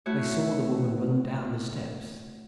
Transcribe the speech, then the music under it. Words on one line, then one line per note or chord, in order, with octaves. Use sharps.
They saw the woman run down the steps.
A3 E4 F#4 C#5